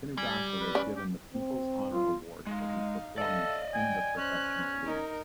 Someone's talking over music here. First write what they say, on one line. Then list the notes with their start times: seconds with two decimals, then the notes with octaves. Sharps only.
Kinugasa was given the People's Honour Award for his performance in the professional leagues.
0.17 G3 G#5
0.61 B4
0.75 C#4 D5
0.96 G4
1.33 C4
1.92 F4
2.47 G#3 D#4 F5
3.18 A4 D5 D#5 F5
3.74 G5 G#5
4.17 C#4 C5 F#6
4.85 D#4 A#4